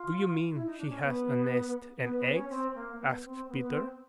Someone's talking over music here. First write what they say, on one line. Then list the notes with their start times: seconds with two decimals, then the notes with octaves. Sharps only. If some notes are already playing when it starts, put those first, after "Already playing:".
"Do you mean she has a nest and eggs?" asked Peter.
Already playing: F4
0.53 E4
0.66 D#4
0.78 D4
0.90 C#4
1.03 B3
2.01 B3
2.17 B3
2.33 C#4
2.49 C4
2.74 A#3
2.99 B3
3.24 C4
3.48 B3
3.61 B3
3.73 C4